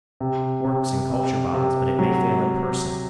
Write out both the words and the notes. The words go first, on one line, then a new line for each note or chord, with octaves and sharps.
It works in culture bottles, but it may fail in person.
C3
C3
C3
C3
F#3